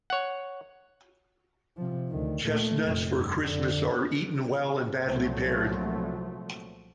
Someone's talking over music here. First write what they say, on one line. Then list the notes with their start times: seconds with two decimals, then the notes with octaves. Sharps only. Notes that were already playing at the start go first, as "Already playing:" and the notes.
Chestnuts for Christmas are eaten well and badly paired.
0.10 C#5 F#5
1.77 C3 F3
2.10 D2 D#3
2.45 A#2 A3
2.84 F1 A#2
3.16 G2
3.46 F2 D3
5.07 C2 A#2 F3 F#3 A3